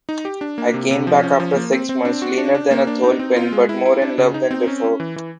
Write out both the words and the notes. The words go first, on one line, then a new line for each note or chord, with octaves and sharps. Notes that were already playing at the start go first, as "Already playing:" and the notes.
I came back after six months, leaner than a thole pin, but more in love than before.
D#4
G4
D4
A#3
C3
C3
F3
C#4
F3
A#3
C4
C4
D4
F#4
D4
D4
A#3
D4
D#4
C4
F4
G#3
E4
E4
D4
C#3
D#4
C4
C#4
C#4
E3
E3